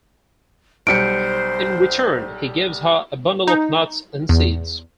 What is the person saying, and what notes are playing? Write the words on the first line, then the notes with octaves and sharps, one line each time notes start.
In return, he gives her a bundle of nuts and seeds.
B1 G3 C5 C#7 D7
D#4
E2